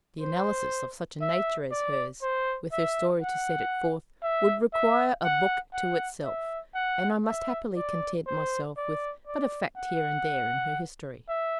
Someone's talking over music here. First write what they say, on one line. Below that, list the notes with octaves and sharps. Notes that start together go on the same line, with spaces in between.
The analysis of such a nature as hers, with her story to set it forth, would require a book to itself, and I must happily content myself with but a fact here and there in her history.
C5
E5
D5
C5
E5
F#5
E5
E5
F#5
F#5
E5
F#5
E5
D5
C5
D5
D5
F#5
E5